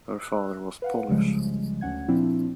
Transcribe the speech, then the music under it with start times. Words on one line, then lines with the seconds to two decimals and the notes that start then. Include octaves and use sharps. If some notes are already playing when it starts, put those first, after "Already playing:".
Her father was Polish.
0.20 E6 F#6
0.82 B4 F5 F#5
1.08 C2 C#3 F3 G3 G#3
1.81 D2 C#4 F#5 G#6
2.08 A#2 F3 C4 D4 E4